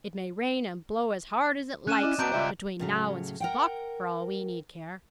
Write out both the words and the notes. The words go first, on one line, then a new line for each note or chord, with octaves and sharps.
'It may rain and blow as hard as it likes between now and six o'clock, for all we need care.
C#4 F#6 D#7 E7
E4 D5 D#5 F#5
C4 F#4 B4 A5 A#5 G6 D7
C#2 G3 F4 C5 E5
A2 C#3 F#3
A#4 F#5 G5